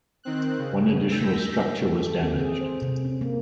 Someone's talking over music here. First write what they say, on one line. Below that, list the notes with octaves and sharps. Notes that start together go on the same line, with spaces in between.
One additional structure was damaged.
D#3 C4 F#6
C#3
E6 G6 A#6 B6
A4
C4
G#4
C5
C3
C#4
A#3